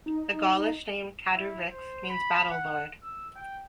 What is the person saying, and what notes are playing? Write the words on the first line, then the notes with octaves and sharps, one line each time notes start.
The Gaulish name "catu-rix" means "battle-lord".
D#4
E4
C5
B5
F#5
E6
G5